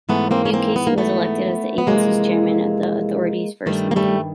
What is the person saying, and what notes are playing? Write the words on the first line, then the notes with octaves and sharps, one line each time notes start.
Hugh Casey was elected as the agency's chairman at the authority's first meeting.
G#2 E3 A3 B3
A#3 C4
C#4
A#3 C4
B3
A#3
A3 B3
B3
F2 C3 E3 G#3 A#3
G2 D#3 G3 A3
A#3
G3 A3